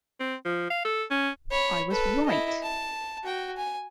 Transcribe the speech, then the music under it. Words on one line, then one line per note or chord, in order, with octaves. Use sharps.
I was right!
C4
F3
F5
A4
C#4
C#5 B5
A4 B4
E4 D#5
A5
F#4 G5
G#5